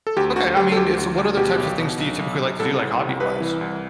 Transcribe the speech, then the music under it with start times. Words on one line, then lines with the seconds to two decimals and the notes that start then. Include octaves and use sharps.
okay, I mean, it's what other types of things do you typically like to do like hobby wise?
0.07 A4
0.17 D2 G4
0.36 D2 F#4
0.56 D2 G4
0.72 A4
0.77 D2 G4
0.97 D2
1.18 D2
1.37 B2 G4
1.58 B1
1.78 B2
1.99 B1
2.19 B1
2.39 B1
2.60 C2 A4
2.79 C2
3.00 C3
3.20 C2 B4
3.41 E3
3.61 C2